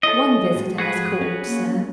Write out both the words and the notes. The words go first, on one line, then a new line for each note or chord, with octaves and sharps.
"One visitor has called, sir."
E4 A4 C#5 D#5
A2 G#3 F#4
F3 F#4 G#4 B4
C#4
A#3